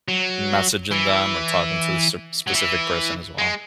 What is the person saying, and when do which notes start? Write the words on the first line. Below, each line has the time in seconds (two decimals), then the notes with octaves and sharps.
messaging them or talking to sir specific person as well.
0.08 F#3
0.91 E3
2.48 F#3
2.55 E3
3.38 G#3